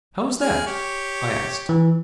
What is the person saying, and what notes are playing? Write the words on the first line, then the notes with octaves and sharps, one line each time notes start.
"How is that?" I asked.
G#3 G#5 F6
G4 C#5
E3